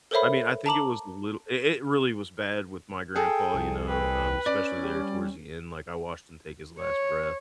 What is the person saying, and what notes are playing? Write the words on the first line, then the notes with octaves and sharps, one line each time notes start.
I mean, I think it was a little it it really was bad with my grandpa, you know, um, especially there towards the end, like, I watched him take his last breath.
A4 A#4 C5 C#5 E5 B5
A5 A#5 D6 F#7
G#4 A4 G5
C2
B4 G5
C#4 D5
G3
C#5